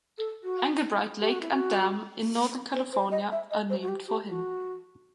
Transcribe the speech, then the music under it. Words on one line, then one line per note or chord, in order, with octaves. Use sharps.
Englebright Lake and dam in Northern California are named for him.
A4
F#4
G4
F#4
E4
F#4
C5
C5
D#5
E5
D#5
C5
F#4
G4
G4
F#4